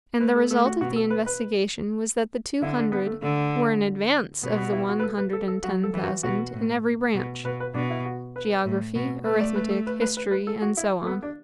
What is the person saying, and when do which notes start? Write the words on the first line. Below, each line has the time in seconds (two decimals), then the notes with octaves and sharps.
And the result of the investigation was that the two hundred were in advance of the one hundred and ten thousand in every branch--geography, arithmetic, history, and so on.
0.20 A3 B4
0.36 A4
0.50 A3 A4
0.66 F#4
0.81 B2 F#4
0.96 A4
1.10 B4
1.26 B4
2.62 D3 E4
2.77 D4
2.92 B3
3.06 A3
3.22 D3 A3
4.43 B2 B3
4.58 B3
4.72 E4
4.89 F#4
5.00 B4
5.03 A4
5.18 B4
5.33 A4
5.48 A4
5.63 F#3 F#4
5.83 A4
5.94 E3
6.03 F#4
6.23 B2 F#4
6.54 A2
7.14 B2
7.45 B2 B4
7.60 B4
7.74 B2 D4
7.90 E4
8.06 F#4
8.36 B4
8.65 A2
8.95 B2
9.25 A3 B4
9.41 D5
9.55 B4
9.70 A4
9.87 B4
10.01 B4
10.17 B4
10.31 B4
10.47 A4
10.62 F#4
10.77 E4
11.02 A3
11.07 B3
11.22 D4